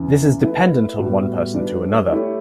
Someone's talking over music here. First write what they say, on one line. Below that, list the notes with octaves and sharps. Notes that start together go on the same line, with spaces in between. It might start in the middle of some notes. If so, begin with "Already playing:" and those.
This is dependent on one person to another.
Already playing: E2 C#3 E3
A3 E4 B4 E5
A2 G3 B3 F#4 B4
G3 D4 F#4 B4
A3 E4 G4 C#5